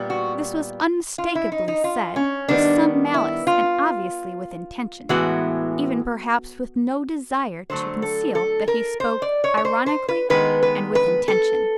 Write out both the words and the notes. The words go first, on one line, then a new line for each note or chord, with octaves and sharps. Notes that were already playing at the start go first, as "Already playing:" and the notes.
This was unmistakably said with some malice and obviously with intention; even perhaps with no desire to conceal that he spoke ironically and with intention.
Already playing: A#2 G3 B3
F#4
F4
E4
D#4
D#4
F4
C#4
D#3 G3 B3 D4
E4
F4
A2 E3 G#3 B3 F#4
D3 F#3 A3 C5
A4
A4
A#4
C5
D5
C#5
C#5
C5
C5
B4
D#3 G#3 B3 B4
B4
B4
A4